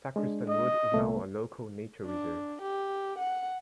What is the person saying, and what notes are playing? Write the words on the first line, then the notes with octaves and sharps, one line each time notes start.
Sacriston Wood is now a local nature reserve.
G#3 D4
D#5
C2 A3 B3
D4
G4
F#5